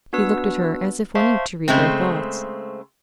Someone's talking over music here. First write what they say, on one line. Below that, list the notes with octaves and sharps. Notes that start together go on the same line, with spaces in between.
He looked at her, as if wanting to read her thoughts.
B3 D4 F#4 B4 E6
C5 E5 F5 A5 C6 C#6
C#3 G#3 A3 C4